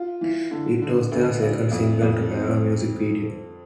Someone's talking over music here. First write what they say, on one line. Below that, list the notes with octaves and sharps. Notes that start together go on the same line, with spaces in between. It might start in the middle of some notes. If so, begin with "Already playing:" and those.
It was their second single to have a music video.
Already playing: F4
E3
D3
D3
D2
D2
F2
F2
C4